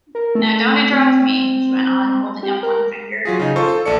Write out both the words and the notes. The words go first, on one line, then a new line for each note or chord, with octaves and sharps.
Now don’t interrupt me!’ she went on, holding up one finger.
A#4
A3
C4
G4
A#4
F#3 F4 G#4
C#3 D#4
F4 A4 C5 C#6
A4
A#1 A4 D5 C#7